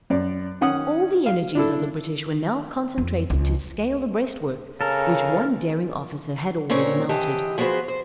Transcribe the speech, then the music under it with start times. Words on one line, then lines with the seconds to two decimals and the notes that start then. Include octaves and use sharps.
All the energies of the British were now concentrated to scale the breastwork, which one daring officer had already mounted.
0.10 F#2 D5
0.61 D#3 C#4 F#5 D#6
1.26 F5
1.55 D4 E4 A4
2.98 F2
3.30 C#2
4.81 C#3 A4 A#4
6.70 A#2 C4 C#4 A#4 C#5
7.09 G#2 E3 G4 D#5 A5
7.58 F3 B3 F#4 G#4 B4 C5
7.88 C5